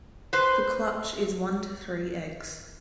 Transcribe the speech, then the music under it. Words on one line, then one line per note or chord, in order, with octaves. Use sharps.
The clutch is one to three eggs.
B4 C5